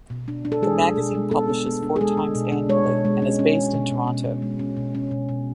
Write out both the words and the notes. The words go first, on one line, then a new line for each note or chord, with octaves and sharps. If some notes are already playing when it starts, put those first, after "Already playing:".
The magazine publishes four times annually and is based in Toronto.
B2
D4
D4
A4
G#3 G#4
D4
B2
G#3
B3 A4
B3
B3
D4
G#4
G#3 A4
D4
B2
D4
G#3 C#5
B2
G#3
C#4
C#4
G#3
B2
B2
B2
B2
G#3
C#4
B2
C#4
B2
B2